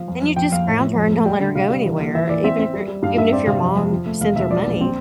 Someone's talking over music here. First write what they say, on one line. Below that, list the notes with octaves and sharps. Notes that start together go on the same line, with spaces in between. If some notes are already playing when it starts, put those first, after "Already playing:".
And you just ground her and don't let her go anywhere. Even if your even if your mom sends her money,
Already playing: F3 F5
F2
F2
F3 G5
F2 F5
A2
F3
F2
A3
G3 G5
D3
C3 F5
G3
E3
A#3
E3 E5
E3 D5
C4 E5
C4
G3
G3
G2 F5
G2 E5
C4 D5
C3 F5
F2
F2
F3
A3
E1 F5
E1 E5
F3 D5
A#1
C4